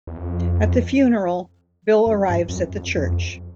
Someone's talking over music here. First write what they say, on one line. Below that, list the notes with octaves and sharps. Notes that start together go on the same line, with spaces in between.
At the funeral, Bill arrives at the church.
E2
F2
F#2
G2
F2
F#2
F2
F#2
F2